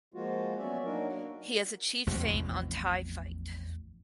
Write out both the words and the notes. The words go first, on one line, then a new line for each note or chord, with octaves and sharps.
He has achieved fame on Thai Fight.
F3 G#3 A#3 F4 F#4
F#3 B3 C#4 D5 E5
F#3 A#3 D4 D#4 F#4 A#4
A1 E2 C3 F3